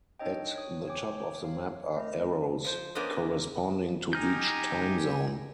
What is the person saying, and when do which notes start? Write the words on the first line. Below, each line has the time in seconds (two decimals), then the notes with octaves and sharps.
At the top of the map are arrows corresponding to each time zone.
0.19 D4 D#4 C#5 D#5 G5
0.56 C#5 D#6
0.88 C#5 G5 G#5 D6
1.44 C#5 F5
1.96 A3 A#4 D#5
2.64 F3 C5
2.95 A#3 B3 C#4 D4 C5 D#5
4.13 D#4 G4 G#5 A#5 F6 G6